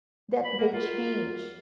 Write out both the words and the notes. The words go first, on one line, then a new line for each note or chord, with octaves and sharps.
that they change
B5
A#3 A#4 F#5
F4 F#4 A#4